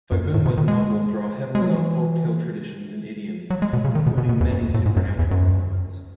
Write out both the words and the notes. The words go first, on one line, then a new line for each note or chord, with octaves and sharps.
Fagunwa's novels draw heavily on folktale traditions and idioms, including many supernatural elements.
F#2
A2
B2
D#3
G#3
G#3
F#3
E3
F#3
G#3
B2
C#3
D#3
B2
B2
B2
E2
F#2
A2
G#2
F#2
E2
F#2